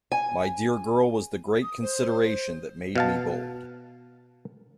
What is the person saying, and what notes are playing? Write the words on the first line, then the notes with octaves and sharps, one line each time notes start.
My dear girl was the great consideration that made me bold.
G#5
D#6
C5
B2 F5 A5